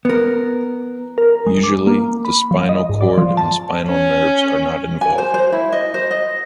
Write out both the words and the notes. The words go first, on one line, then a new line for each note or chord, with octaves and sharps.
Usually the spinal cord and spinal nerves are not involved.
B3 A#4
A#4
G#3
D6
A#3
B5
F3
D#5
G#2
D5
F3
A5
C#4
G#5
C5
C5
E4
D#5
C5
D#5